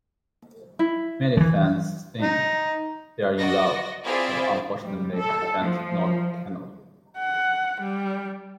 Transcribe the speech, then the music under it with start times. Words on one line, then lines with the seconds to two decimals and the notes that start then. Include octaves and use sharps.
Many fans think they're in love, but unfortunately that's not canon.
0.79 E4
1.37 E3 F3
2.22 D#4
3.39 F#4 D5 D#5 A#6
4.04 C4 E4 F4 G#4 C5 D5
4.84 G3
5.18 A4
5.62 F3
7.18 F#5
7.81 G3